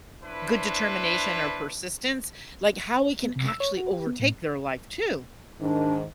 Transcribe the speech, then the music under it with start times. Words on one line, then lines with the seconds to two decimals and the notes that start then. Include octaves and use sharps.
good determination or persistence, like how it can actually overtake their life too.
0.23 D4 E4 B4 C5
3.23 B3
3.36 C3
3.48 E6
3.60 C#5
3.77 F#4
3.91 G4
4.07 B3
4.20 A2
5.60 G#2 D#3 D4